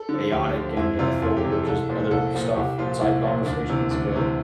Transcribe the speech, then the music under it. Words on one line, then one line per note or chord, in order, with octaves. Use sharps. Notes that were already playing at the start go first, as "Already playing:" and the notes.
chaotic and, uh, filled with just other stuff, side conversations, but,
Already playing: A4
D3
F3
D2 G4
D3 F3
F2 E4
C3 E3 F4
F2 F4
G4
C3 E3
A4
C2 A4
A#2 F3
C2 A4
A#2 F3
C2 G4
A#2 F3 F4
C2 E4
A#2 F3
D2 D4
C3 E3
D2 D4
C3 E3